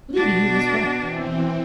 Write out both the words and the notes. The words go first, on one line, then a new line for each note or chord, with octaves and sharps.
Liddy was right.
B2 D4 F#4
E3 C4